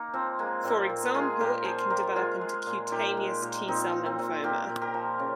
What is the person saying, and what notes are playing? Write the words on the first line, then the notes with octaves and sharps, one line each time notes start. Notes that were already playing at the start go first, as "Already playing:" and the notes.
For example, it can develop into cutaneous T-cell lymphoma.
Already playing: A#3 D#4
F3 C4
G#3 A#3
A#2 C4
A#2
G#3 F4 G#4
A#2 G4 A#4
F3 G#4 C5
A#2 G4 A#4
G#3 F4 G#4
G#3
A#2
A#2 D#4 G4
G#3
A#2
A#2 C4 D#4
A#2
C4
A#2
A#2 G4 A#4
A#2
G4 A#4
F3
C#3